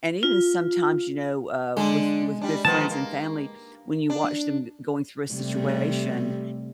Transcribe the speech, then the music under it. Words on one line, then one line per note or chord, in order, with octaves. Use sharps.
And even sometimes, you know, uh, with with good friends and family, when you watch them g going through a situation
F4
D3 G#3 D4
G3 D4
D#3 F3 B3 A5
A#3
D4
C3 G3 A3